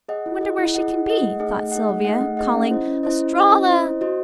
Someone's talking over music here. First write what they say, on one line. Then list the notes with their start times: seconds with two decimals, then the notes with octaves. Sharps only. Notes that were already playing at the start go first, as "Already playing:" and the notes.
I wonder where she can be," thought Sylvia, calling "Estralla!
0.08 G#4 D#5 F#5
0.26 E4
0.41 G#4 D#5 F#5
0.58 E4
0.74 G#4 D#5 F#5
0.90 E4
1.07 G#4 D#5 F#5
1.23 A3
1.40 D#4 G#4 D#5 F#5
1.56 A3
1.72 D#4 G#4 D#5 F#5
1.89 A3
2.05 D#4 G#4 D#5 F#5
2.21 A3
2.37 D#4 G#4 D#5 F#5
2.54 C#4
2.71 E4 C5 D#5
2.87 C#4
3.03 E4 C5 D#5
3.19 C#4
3.35 E4 C5 D#5
3.52 C#4
3.69 E4 C5 D#5
3.84 C4
4.01 F#4 C5 D#5